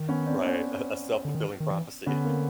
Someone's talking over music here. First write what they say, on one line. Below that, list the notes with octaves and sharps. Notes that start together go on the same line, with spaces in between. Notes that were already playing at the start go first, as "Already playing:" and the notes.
Right, a a self-fulfilling prophecy.
Already playing: D#3
B3 C#4
C4 D4
B3 C#4
D3
D#3
D#3
E3
D3 B3 C#4
A#3 C4